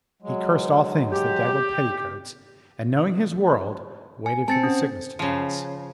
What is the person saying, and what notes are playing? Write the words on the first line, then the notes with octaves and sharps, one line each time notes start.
He cursed all things that daggled petticoats, and, knowing his world, waited for the sickness to pass.
F#3 G#3
G4
G#5
C4 A5 A6 C#7
C#4
C#3 F3